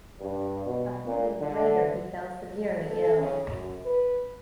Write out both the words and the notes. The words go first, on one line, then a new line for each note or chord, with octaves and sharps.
A few days later he fell severely ill.
G2
B2
A#2
D3
A4
C#3
F#2
B4